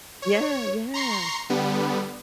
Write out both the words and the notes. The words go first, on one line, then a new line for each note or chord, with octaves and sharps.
yeah. Yeah,
C#5
A#5 C6 C#6 C7
D3 G3 B3